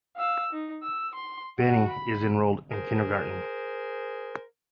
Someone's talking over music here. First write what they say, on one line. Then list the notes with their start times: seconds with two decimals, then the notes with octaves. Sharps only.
Benny is enrolled in kindergarten.
0.17 F5 E6
0.53 D#4
0.83 E6
1.15 C6
1.58 F#4 F#5
1.89 B5
2.72 G#4 A#4 C5